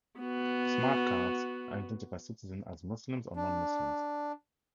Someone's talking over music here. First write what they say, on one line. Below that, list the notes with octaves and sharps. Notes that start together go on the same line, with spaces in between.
Smart Cards identify citizens as Muslims or Non-Muslims.
B3 F#4
D4